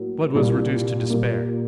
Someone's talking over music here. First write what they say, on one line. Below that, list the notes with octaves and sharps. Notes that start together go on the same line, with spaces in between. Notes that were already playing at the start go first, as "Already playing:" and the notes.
Blood was reduced to despair.
Already playing: A2 F#3 A#3
C2 A#2 G3
A#2 G3 A#3